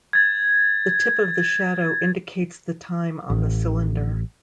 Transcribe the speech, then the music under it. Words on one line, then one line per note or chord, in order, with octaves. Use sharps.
The tip of the shadow indicates the time on the cylinder.
G#6 A6
A1